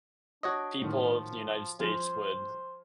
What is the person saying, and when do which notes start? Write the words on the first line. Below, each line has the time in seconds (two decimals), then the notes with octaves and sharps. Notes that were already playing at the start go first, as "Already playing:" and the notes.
people of the United States would
0.43 D4 F#4 C#5 D#5
0.81 A2 D#3 F3
1.79 F3 F4 G#4 C5